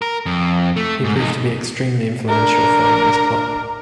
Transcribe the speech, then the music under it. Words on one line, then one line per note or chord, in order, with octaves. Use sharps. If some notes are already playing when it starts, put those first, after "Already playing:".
He proved to be extremely influential foiling this plot.
A#4
F2
A3
G#2
E2 D#4
D4 A#4